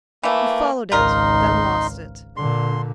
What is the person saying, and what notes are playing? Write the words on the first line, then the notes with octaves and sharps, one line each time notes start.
He followed it, then lost it.
E3 A3 A#3
G#1 C#2 D#4 F4 A#4 C6
A#2 D3 C6